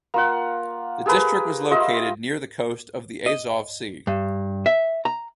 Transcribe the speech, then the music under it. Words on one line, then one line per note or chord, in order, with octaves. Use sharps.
The district was located near the coast of the Azov Sea.
A#3 F4 F#5
G4 G#4 A#4 B4
F4 C5 D#5 E5
D#5
G2
E5
A#5